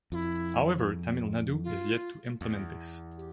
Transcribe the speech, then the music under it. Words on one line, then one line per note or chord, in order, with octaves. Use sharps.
However Tamil Nadu is yet to implement this.
F2 E4 F4
F4
E2
G4